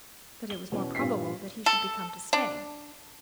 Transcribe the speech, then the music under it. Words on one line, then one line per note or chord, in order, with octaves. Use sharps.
But it was more probable that he should be come to stay.
G7
B2 E3 C#4
G2 A#2 G4 B6 C7
A4
D4